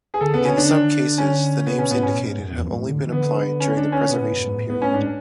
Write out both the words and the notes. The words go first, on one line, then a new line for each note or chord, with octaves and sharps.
In some cases the names indicated have only been applied during the preservation period.
G#4
D3 A4
C#3 B3
D3 C#4
D4
D4
C#4
C#3 B3
B2 C#4
A2 B3
G#2 C#4
B2
G#2
F#2
E2
F#2
G#2
A2
D3
E3
D3 B3
C#4
D4
C#4
B2 B3
A2
F#2
G#2
A2
A2 B3
A2 C#4
G#2 D4